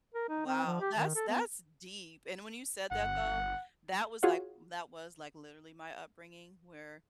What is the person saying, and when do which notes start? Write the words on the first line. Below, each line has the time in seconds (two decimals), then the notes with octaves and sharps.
Wow. That's that's deep, and when you said that, though, that was, like that was, like, literally my upbringing where
0.15 A#4
0.29 D#4
0.46 C4
0.66 F3
0.81 G4
0.96 D#3
1.16 A4
1.29 B3
2.91 G1 F#5
4.23 F4 F#4 G#4 C#5 F5 F#5